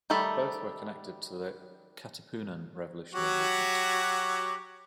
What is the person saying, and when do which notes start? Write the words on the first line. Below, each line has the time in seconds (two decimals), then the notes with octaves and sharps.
Both were connected to the "Katipunan" revolutionary movement.
0.10 D#3 G3 A3 A4 B5
3.14 F#3 F#4 G4